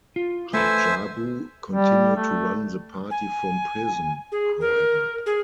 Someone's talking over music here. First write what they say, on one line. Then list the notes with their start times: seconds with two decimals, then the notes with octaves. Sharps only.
Radjabu continued to run the party from prison, however.
0.16 F4
0.54 A3 A4 B4 C5 E5 G#5
1.71 G3
2.16 A3
3.11 G#5
4.32 G#4
4.60 A#4
5.26 G#4